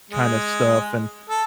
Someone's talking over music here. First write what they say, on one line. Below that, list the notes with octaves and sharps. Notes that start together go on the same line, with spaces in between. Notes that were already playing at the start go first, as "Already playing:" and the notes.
kinda stuff, and,
G#3
A4